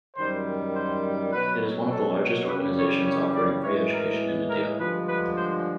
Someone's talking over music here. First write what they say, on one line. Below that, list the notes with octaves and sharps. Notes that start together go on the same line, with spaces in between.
It is one of the largest organisations offering free education in India.
F#2 D#3 G3 C5
C5
B2 F#3 B4
A4
F#2 C#3 E3 G3 B4
C#5
C#5
D5
A2 E3 G#3 C#5
A#4
A#4
G2 D3 F3 G#3 B4
B4
C5